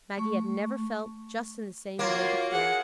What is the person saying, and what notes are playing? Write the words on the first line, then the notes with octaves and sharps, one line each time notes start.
Maggie had never felt just in the same way before.
A3 C#6
A#3 F4 F#4 C#5
G#4 F#5